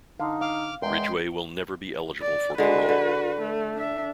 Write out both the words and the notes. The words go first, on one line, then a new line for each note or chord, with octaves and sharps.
Ridgway will never be eligible for parole.
D3 D#4 F5
F5 D6 F6
E2 G#3 A#4 G5 C6
D5
D3 G#3 F#4 B4
D3
A3
D4 E5